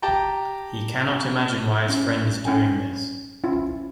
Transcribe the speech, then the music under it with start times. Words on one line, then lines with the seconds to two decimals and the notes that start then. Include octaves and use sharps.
He cannot imagine why his friend is doing this.
0.02 G4 G5 A5 A#5
1.89 C#4
2.45 C#4 G5 G#5
3.44 C#4 E4 F4